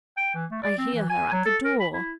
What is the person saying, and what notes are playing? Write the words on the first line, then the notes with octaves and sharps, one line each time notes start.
'I hear her at the door!'
G5
E3
A3
D5
C4
E3
G#5
F#3
A4
A#4
B5
E4